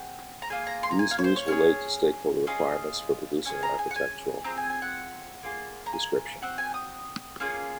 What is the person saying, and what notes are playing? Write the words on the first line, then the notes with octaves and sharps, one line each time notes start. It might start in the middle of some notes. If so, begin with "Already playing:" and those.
These views relate to stakeholder requirements for producing an Architectural Description.
Already playing: C4 G#4 F#5
A#5
A#3 F4 G#4 G#5
A#5
C6
A#5
G#5
F5
C#5
C5
C#5
C#4 F4 G#4
C#4 F4 G#4 D#5
C#4 F4 G#4 G#5
A#5
G#5
F#5
G#5
C4 F4 G#4 A#5
G#5
G#5
F#5
A#3 F4 G#4
A#5
G#5
C4 F#4 F#5
G#5
D#6
A#3 C#4 F4 G#4